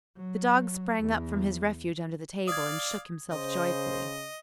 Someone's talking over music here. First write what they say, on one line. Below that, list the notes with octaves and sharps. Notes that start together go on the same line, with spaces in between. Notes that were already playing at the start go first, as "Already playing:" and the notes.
The dog sprang up from his refuge under the table, and shook himself joyfully.
F#3
E2
D5 F5 D#6 G#6
C#3 C5 D#5